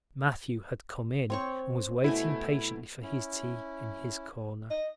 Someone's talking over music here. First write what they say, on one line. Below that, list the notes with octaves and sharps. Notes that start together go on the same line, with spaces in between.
Matthew had come in and was waiting patiently for his tea in his corner.
C4 C#5 C#6
B2 A3 E4 G#5
C#4 E4
D#5